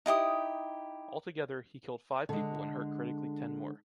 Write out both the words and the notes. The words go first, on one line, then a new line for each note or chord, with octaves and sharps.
Altogether, he killed five people and hurt critically ten more.
D#4 E4 G4 D#6
D3 G#3